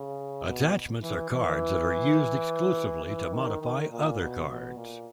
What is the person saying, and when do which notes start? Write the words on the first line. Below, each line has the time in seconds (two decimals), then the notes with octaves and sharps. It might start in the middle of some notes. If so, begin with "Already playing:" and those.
Attachments are cards that are used exclusively to modify other cards.
Already playing: C#3
0.44 B2
1.02 E3
1.31 E3
3.04 E3
3.33 D#3
3.61 D#3
3.91 A#2
4.20 B2
4.48 B2
4.76 A#2